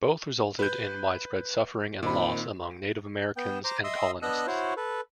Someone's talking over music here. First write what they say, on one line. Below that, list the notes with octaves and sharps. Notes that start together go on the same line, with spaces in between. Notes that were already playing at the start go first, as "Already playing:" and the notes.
Both resulted in widespread suffering and loss among Native Americans and colonists.
B4 G6
A#2 D#3 C4 B5
B3 G5
C5 A#5 D6
D#5 E5 C6 D#6 E6
B3 D4 D#5 E6 F#6
E4 F#4 C5 C#5
A4 B4